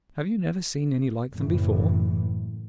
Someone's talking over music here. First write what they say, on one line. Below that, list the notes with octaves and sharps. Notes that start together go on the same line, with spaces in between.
"Have you never seen any like them before?"
F#1 F#2 A2 E3